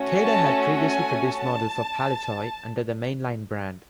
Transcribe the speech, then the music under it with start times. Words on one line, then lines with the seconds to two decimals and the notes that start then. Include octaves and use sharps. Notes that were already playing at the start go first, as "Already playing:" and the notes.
Kader had previously produced models for Palitoy under the 'Mainline' brand.
Already playing: A3 C#4 F#4
0.23 A5
0.85 G#5
1.33 A5